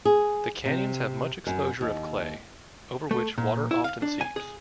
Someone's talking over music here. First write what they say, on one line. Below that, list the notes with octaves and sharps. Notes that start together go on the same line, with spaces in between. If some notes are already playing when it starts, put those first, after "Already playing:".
The canyons have much exposure of clay, over which water often seeps.
G#4
C3
F#2
D#2
A3
A#2
E4
F5
D4
G#5
G#4